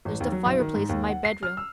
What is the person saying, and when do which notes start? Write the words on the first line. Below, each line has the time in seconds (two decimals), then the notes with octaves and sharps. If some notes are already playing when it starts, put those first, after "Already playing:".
There's the fireplace in my bedroom.
0.05 A1
0.20 D#2
0.32 F#3
0.45 B1
0.60 D#3
0.75 G#2
0.89 D#2
1.09 F#5
1.25 C7
1.43 F6
1.57 E6